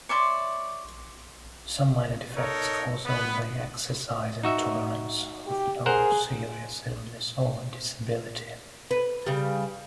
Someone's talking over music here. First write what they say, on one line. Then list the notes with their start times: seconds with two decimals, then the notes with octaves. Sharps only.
Some minor defects cause only "exercise intolerance", with no serious illness or disability.
0.09 C#5 D5 E5 C6
2.37 D#4 A4 A#4 C#5
3.05 B3 B4
4.43 D#4 F#4 E5
5.47 G4
5.86 G#4 A#4 C5 F#5
8.91 B4
9.26 C#3 G3